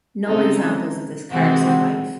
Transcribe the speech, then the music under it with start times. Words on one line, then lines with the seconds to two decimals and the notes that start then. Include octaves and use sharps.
No examples of this car survive.
0.25 C#3 G#3 C4 D#4 A4
1.32 C3 E3 G#3 C4 F#4